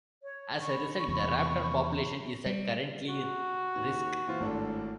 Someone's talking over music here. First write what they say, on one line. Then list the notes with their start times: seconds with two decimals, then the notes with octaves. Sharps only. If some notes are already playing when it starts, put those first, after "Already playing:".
As a result, the raptor population is at currently risk.
0.23 C#5
0.59 B5 C#6
1.08 E2 C3
2.46 G3
3.08 F#4
3.75 D#2
4.28 A#2 E3 C4 F4
4.41 G#1 A2 D4 A4